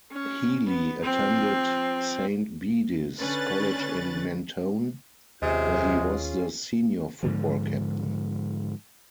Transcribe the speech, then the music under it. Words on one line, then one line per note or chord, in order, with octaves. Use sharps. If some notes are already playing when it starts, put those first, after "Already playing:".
Healy attended Saint Bede's College in Mentone, where he was the senior football captain.
C#4
B3
F3 C4
D3 C#4 B4 F#6 A6
D#2 C3 G#3 C#4 F4 G#4
G#2 D3 F3